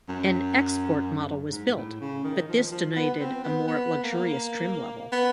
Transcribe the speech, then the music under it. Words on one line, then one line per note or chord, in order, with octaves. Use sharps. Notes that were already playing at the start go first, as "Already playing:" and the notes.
An "Export" model was built, but this denoted a more luxurious trim level.
F#2
G#2
A2
C#3
D#3
F3
F3
B3
B3
C4
B3
B3
A#3
B3